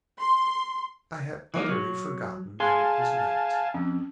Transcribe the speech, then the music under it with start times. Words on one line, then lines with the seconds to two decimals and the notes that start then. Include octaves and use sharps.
I had utterly forgotten that it was night.
0.19 C6
1.54 E3 A#3 D#4
1.69 F#3
2.60 G#4 F5 G#5 A5 C6
3.74 F2 C#4